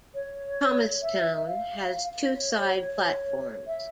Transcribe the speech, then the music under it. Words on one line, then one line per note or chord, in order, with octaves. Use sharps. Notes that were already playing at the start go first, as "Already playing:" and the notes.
Thomastown has two side platforms.
C#5
E5
F5
C#5
C#5
C#5
E5